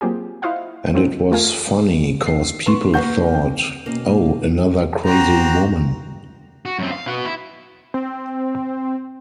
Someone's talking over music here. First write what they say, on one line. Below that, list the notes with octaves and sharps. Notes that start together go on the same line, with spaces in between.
And it was funny, 'cause people thought, 'Oh, another crazy woman.
F#3 A#3 C4 F4 G4 G#4
E4 F4 C5 D#5 F5 F#5
F3 F#3 C4 C#4 D#4
A3 F4 A#4 F5 G#5 F6
C7
B3 C6 C#6 E7
D#3 A#3 B4 F#5 C#6 G6
C4 G5
B2 A#3 C#4
C4 F#4 G4 A#5
F#4
F#2 C4
F5
F#4 B4
E4
C4